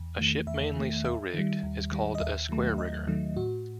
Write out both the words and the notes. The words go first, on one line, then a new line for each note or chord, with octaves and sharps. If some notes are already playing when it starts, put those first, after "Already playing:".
A ship mainly so rigged is called a square-rigger.
Already playing: E2
D#3 A3
E2 E5
D#3 A3
D#2 E5
D#3 G3
D#2
D#3 G3
D#5
D#2 E5
D#3 F#3 A3
D#2 D#5
D#3 F#3 A3
A2 F#4